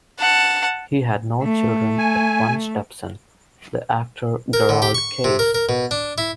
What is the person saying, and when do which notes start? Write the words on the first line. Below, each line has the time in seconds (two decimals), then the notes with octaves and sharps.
He had no children but one stepson, the actor Gerald Case.
0.20 F#5 A5
1.43 A3
1.98 G#5
4.53 A#4
4.69 D3
4.82 G4
4.94 C#6
5.24 C3
5.39 A#4
5.54 A#4
5.69 B2
5.91 D4
6.18 E4